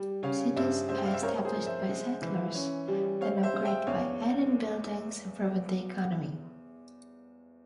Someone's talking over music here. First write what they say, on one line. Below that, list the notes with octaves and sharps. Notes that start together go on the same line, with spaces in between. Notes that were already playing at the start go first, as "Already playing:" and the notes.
Cities are established by settlers, then upgraded by adding buildings improving the economy.
Already playing: G3
C#3 C#5 F5
G2 C5 E5
G#3 C5 E5
G5
F5
E5
C4 A#4 C#5
G#4 C5
F3
C5 E5
G#3
E3
C#4
G3
C4 C#5 F5
C5 E5
G#3 F5
E5 G5
E2 C#5 F5